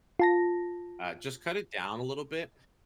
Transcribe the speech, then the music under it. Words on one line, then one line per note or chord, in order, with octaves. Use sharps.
Uh, just cut it down a little bit,
F4 A5 A#6